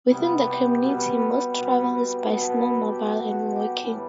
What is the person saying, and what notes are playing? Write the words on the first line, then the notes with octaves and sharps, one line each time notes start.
Within the community, most travel is by snowmobile and walking.
C3 G3 B3 E4
G4
B2 G3 B3
B2 G3 B3
B2 F#3 B3 A4
B4
A4
G4
B2 F#3 A3 F#4
F#4
G4
A2 E3 G3